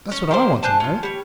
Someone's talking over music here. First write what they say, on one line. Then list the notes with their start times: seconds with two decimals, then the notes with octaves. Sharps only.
That's what I want to know.
0.11 C#4
0.31 D#3 G3 A#3 C5
0.63 D4 C5 G#5 A5
0.80 C#4 F4
1.03 G3 C#5